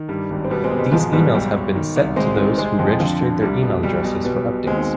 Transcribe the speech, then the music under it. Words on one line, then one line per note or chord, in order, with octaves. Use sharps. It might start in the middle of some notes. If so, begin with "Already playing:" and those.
These emails have been set to those who registered their email addresses for updates.
Already playing: D#3
G2 G3
G#1
C4
B2 G3 B3
G#3 C4
B2
G3 B3
G#2 F3 G#3
G#2 G3 B3
B1 G3
B1
D#3
C2
G#1 G#3 C4
D#3
C3 G#3 C4
F2 F3 G#3
D3 F3
D3
C2 G3
B2
B1 G3
B2
B2 G3 B3
B2
D#2 G#3 C4
C4 D#4